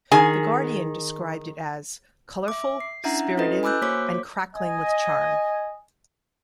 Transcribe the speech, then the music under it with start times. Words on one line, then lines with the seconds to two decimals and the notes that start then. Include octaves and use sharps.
The Guardian described it as, 'Colourful, spirited and crackling with charm.
0.11 D#3 G#4 G#5
2.48 E5 D6
2.80 C7
3.04 C#4 D4 E4 E5 F#5 A#5
3.37 C#4 E4 F#4 A4 B4 D#5
3.63 G#5 B5 D6 E6 F#6 G6
3.82 A#3 F#4 C5 C#5 D6 B6
4.56 D#5 G#5